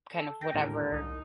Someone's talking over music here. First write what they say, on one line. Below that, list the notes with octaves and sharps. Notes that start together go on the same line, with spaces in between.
kind of whatever
A4
G5 A#6
D#2 A2 D3 G#3 A#4
A#4
C2 D#4